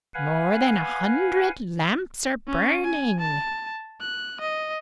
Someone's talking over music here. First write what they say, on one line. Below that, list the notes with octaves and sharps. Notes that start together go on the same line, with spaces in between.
More than a hundred lamps are burning.
B4 F5 F#5 G#5
C#4
G#5
A5
F#6
D#5